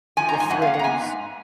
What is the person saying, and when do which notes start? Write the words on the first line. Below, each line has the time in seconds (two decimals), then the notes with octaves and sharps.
the thrillers,
0.17 F3 G#5
0.29 G#2 A#5
0.40 G#5
0.50 F2 F#5
0.62 F5
0.67 A#3
0.74 F#5
0.79 A#5
0.83 B3 G#5
1.00 G#2